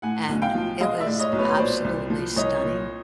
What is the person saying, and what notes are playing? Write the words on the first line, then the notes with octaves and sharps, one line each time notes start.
and it was absolutely stunning,
A2 F#5 G#5
B1
F5 G5
F3
G#3 D#5 F5
D5 E5
A2
C#5 D#5
B1
B4 C#5
A#2 C5 D5
C2
F3
C2 C#5 D#5
A#2